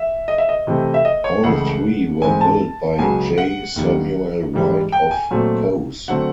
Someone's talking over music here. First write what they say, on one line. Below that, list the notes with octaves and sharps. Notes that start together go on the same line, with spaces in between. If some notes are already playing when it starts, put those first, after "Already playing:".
All three were built by J. Samuel White of Cowes.
Already playing: E5
D#5
E5
D#5
C3 E3 A3 C4
E5
D#5
C#5
C#2 C#3 E3 A3 F#5
G#2 E3 G#3 C4 G#5
A5
C#2 C#3 F#3 B3 G#5
F#5
D#2 D#3 G3
G#2 E3 G3
G5
G#5
A#2 F#3 A3 C4
D3 F#3 A3 C4 F#5